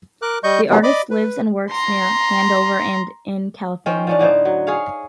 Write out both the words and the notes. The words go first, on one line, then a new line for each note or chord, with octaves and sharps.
The artist lives and works near Hanover and in California.
A#4 D6 F#6
G3 D#5 C#6 G6
C3 E3 F#3 G#3 A#3 B3
D5 D#5 B5 D6
B4
A#5 C6
D#3 C#4 C5 G5
F3 C#4 D4
A2 D3 D#4 C5
F#3
G#4 C#5 F5